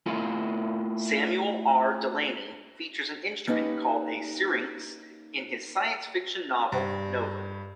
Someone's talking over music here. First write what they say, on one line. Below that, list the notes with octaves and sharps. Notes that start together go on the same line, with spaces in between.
Samuel R. Delany features an instrument called a syrynx in his science-fiction novel "Nova".
A3 E4 F4 F5 G#5
A#3 C#4 D#4 G4 B4
G2